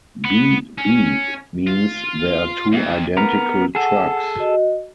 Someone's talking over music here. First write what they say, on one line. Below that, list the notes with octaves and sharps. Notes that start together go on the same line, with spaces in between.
"B-B" means there are two identical trucks.
B3
C#4
F4
F2
B3 A#4
G#4 A4 F#5
F#4 D#5